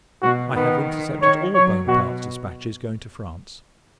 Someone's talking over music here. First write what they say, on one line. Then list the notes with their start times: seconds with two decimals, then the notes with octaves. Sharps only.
I have intercepted all Buonaparte's dispatches going to France.
0.22 B2 F#4
0.55 D#3 B3
1.21 D#3 C#5
1.55 F#3 C#5
1.88 B2 F#4